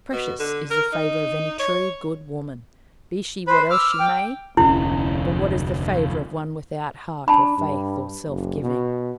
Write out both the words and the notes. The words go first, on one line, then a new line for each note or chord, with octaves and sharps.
Precious is the favor of any true, good woman, be she what else she may; but what is the favor of one without heart or faith or self-giving?
B2
D3
A#4
D#4
C#5
B4 C5 B5
D6 E6 F6
G5
F1 D2 C#4 E4
D4 A5 B5
G2
F#1
B2